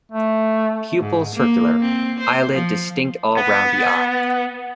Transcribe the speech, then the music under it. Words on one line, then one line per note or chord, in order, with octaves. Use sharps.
Pupil circular; eyelid distinct all round the eye.
A3
G#2
A#3
C4
C5
F3
B3